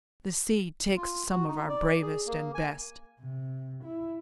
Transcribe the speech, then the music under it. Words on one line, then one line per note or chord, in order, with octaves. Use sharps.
The sea takes some of our bravest and best.
F4
F#4
D#4
D5
G#4
A#3
G#5
C3
E4